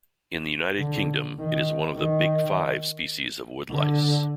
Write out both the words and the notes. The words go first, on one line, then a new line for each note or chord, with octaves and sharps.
In the United Kingdom, it is one of the "big five" species of woodlice.
D3
D#3
D#3
D3